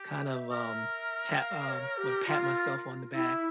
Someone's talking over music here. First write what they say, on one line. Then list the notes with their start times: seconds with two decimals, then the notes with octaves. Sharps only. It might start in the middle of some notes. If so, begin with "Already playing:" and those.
kind of, um, tap um, well, pat myself on the back,
Already playing: G4
0.22 E5
0.51 A#4 E5
1.39 F5
1.68 C#5
1.98 G4
2.27 F4
3.14 E4 E5